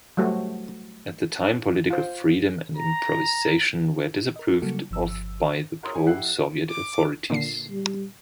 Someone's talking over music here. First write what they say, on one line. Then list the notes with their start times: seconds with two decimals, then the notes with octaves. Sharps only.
At the time, political freedom and improvisation were disapproved of by the pro-Soviet authorities.
0.17 F#3 G3 A3 F#4 C5
1.90 F4 C5
2.77 A#5
4.36 A#4 D#5
4.62 C#3 F#3 G3 A#3 F#4 A4
4.91 G1 F3 E6
5.83 F#4 A#4 C#5 C6 D#6
5.94 G4 G#5
6.06 F2 E4 G4 F#5 F#6 C7
6.69 D6
7.30 A#2 D3 C7
7.71 G3